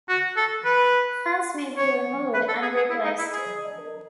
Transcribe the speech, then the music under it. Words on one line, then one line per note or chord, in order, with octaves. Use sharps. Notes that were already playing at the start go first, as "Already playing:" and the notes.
Hands may be removed and replaced.
F#4
A4
B4
C#5
B4
A4
G#4
G#4
E4
D#4
E4
G#4